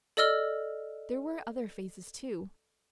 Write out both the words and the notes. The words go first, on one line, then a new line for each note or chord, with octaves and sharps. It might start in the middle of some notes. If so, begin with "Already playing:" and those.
There were other phases, too.
A4 D5 D#5 E6 F6 G7